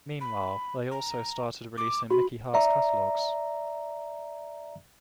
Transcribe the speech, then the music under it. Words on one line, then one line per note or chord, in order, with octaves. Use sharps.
Meanwhile, they also started releasing Mickey Hart's catalogs.
B5
A#5
D6
F#4 B5
D5 E5 A#5